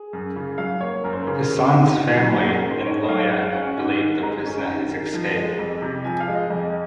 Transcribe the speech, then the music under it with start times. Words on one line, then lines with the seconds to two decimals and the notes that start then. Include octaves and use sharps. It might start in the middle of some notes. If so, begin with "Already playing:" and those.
Hassan's family and lawyer believe the prisoner has escaped.
Already playing: G#4
0.13 F#2
0.36 C#3
0.58 F#3 F5
0.81 A#3 C#5
1.04 F#2 A#4
1.13 C5
1.22 C#3 A#4
1.50 C#4
1.72 G#2
1.95 G#2 F#4
2.06 F4
2.17 F#3 F#4
2.40 C#4 G#4
2.55 A#4
2.64 G#2
2.71 C5
2.86 G#2 C#5
3.03 D#5
3.08 F#3 F5
3.31 G#3 F#5
3.42 F5
3.52 C#4 F#5
3.77 G#2
4.00 D#3
4.22 G#3 A#5
4.46 C#4
4.68 G#2
4.91 D#3
5.14 F3
5.36 G#3
5.59 F2
5.82 C3
6.04 F3 G#5
6.20 F5
6.28 G#3
6.35 D#5
6.50 F2 D#5